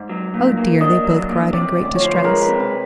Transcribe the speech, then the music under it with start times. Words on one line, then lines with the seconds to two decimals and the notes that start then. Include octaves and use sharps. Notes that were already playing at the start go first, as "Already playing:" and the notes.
"Oh, dear!" they both cried in great distress.
Already playing: G#2 D5
0.09 F#3
0.34 A#2
0.57 A#3
0.80 D4 D#5
1.04 F#3
1.29 A#2
1.53 C3 D5
1.77 D2
1.85 D5
1.95 C#5
2.01 F3 C5
2.14 B4
2.24 G#3 A#4
2.42 B4
2.49 C3
2.60 B4